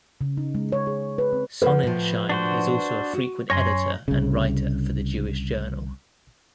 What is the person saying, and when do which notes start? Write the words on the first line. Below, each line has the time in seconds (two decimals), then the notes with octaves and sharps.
Sonenshein is also a frequent editor and writer for the Jewish Journal.
0.21 C#3
0.37 D#4
0.55 G#3
0.72 C#5
0.87 G#4
1.18 B4
1.33 C4
1.62 F3 B4 F#5
1.83 A2 F3
2.29 D4 F#4 C5
3.13 F#4
3.50 F#2 C#5 G#5 C6 A#6
4.08 C2 C#3